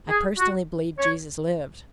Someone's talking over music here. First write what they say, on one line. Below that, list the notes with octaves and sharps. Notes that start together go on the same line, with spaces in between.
I personally believe Jesus lived.
G#4
F#4
C#5